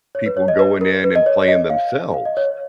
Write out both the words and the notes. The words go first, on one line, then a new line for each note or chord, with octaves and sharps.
people going in and playing themselves,
C#5
B4
C#5
D#5
B4
A#4
B4
D#5
C#5
C#5
D#5
F5
F5
D#5
C#5